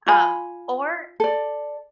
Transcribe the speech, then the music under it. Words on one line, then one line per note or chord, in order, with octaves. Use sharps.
Um, or
F4 G#5 B5
A4 D5